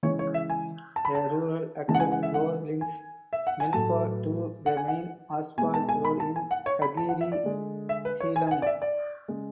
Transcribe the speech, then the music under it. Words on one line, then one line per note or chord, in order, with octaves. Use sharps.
A rural access road links Melfa to the main asphalt road in Hagere Selam.
C#3 E3 G#3 C#5
C#5
E5
G#5
A5
B5
A5
C#3 E3 G#3 A5
F#5
G#5
F#5
E5
F#5
G#5
E5
F#5
G#5
A2 F#3 A3 A5
F#5
G#5
F#5
B2 G#3 G#5
A5
G#5
B5
A5
G#5
F#5
C#5
B5
A5
F#5
E5
D5
D3 G#3
E5
B4
C#5
G#5
G#5
F#5
D5
E5
D5
C#3 G#3